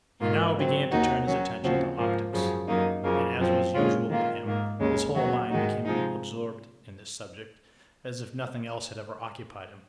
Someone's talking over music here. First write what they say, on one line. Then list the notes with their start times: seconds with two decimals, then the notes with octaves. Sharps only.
He now began to turn his attention to optics, and, as was usual with him, his whole mind became absorbed in this subject as if nothing else had ever occupied him.
0.20 G#2 D#3 A#3 F4
0.56 C#3 F#3 C4
0.91 D#2 D#3 A#3 D#4 F#4
1.26 D#3 F#3 C#4 F#4
1.62 D#2 C#3 F3 C4 F#4
1.97 G#2 F3 A#3
2.32 F#2 C#3 F3
2.67 F#2 D#3 A#3 D#4
3.02 F#2 C#3 F3 A#3
3.38 F#2 F3 C4
3.74 A#2 G#3 C#4 F4
4.09 D#3 A#3 F4
4.44 G#2 D#3 A#3
4.79 D#2 C#3 G#3 C#4
5.14 D#2 D#3 F#3 C#4 F#4
5.50 G#2 D#3 G#3 D#4 F#4
5.85 C3 F3 G#3 D#4